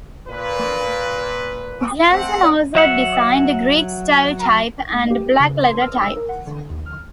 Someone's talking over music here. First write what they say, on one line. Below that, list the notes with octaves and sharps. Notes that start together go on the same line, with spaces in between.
Jenson also designed Greek-style type and black-letter type.
A#2 B4
A3 C4 F#5
F#3 E5 F#5
A3
G4
C#3
C6
F6
E6
A#4
F#5
D3
D#2
F6